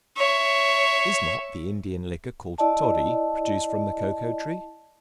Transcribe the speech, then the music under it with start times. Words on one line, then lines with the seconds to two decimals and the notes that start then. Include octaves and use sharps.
Is not the Indian liquor called Toddy, produced from the Cocoa Tree?
0.17 C#5 E5
2.58 E4 D5 D#5 A5